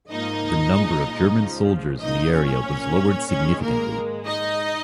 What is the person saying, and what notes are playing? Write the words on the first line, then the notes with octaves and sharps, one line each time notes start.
The number of German soldiers in the area was lowered significantly.
G#2 F3 A#3 D#4 D#5
A#2 F3 G#3
C#2 C#3 F3
A#2 F3 A#3 D#4 D#5
C#4 C#5
A#2 A#3
G#2 D#3 G#3 C#4 C#5
A#3 A#4
G#2 G#3
D#4 D#5